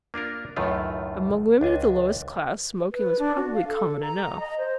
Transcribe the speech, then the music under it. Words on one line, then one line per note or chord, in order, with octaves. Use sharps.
Among women of the lowest class smoking was probably common enough.
A#3 D4 F4 A#4
C#2 F#2 A2 D#3 A3 F4
C#2 D4 G#5
B4
D4
F#4
F5
A4
A#5
D#5
C5